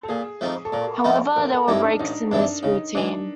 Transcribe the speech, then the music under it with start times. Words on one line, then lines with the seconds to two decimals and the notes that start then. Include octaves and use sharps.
However, there were breaks in this routine.
0.03 A4
0.09 A#2 G#4
0.41 F3 A3 C4 D#4
0.65 A4
0.72 A#2 A#4
1.04 F3 A3 C4 D#4
1.36 A1 A#4
1.52 A4
1.68 G2 E3 G3 C4 D#4
1.84 D4
2.00 A1 D#4
2.31 G2 E3 G3 C4 D4
2.63 C#3 D#4
2.95 E3 G#3 D4